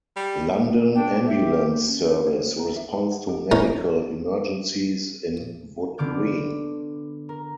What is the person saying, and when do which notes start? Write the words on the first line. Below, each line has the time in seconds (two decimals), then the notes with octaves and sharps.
London Ambulance Service responds to medical emergencies in Wood Green.
0.16 G3
0.95 D4 G5
1.27 G4 E5
1.73 A#3
1.88 C#4
2.05 A#4
2.27 C5
2.41 A#3
2.59 A#5
2.76 E5
2.92 D#4
3.12 F#5
3.29 G4
3.52 E2 C#4 A#4
5.98 D3 B3 D6 F6 G6
7.29 A#4